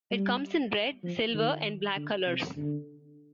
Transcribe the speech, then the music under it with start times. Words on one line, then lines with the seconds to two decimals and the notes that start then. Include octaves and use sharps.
It comes in red, silver and black colours.
0.11 G3
1.03 F3
1.34 D#3
1.96 D3
2.26 C3
2.56 D3